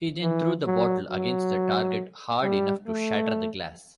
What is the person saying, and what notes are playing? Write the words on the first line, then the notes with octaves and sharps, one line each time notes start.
He then threw the bottle against the target hard enough to shatter the glass.
E3
F#3
F#3
G3
A3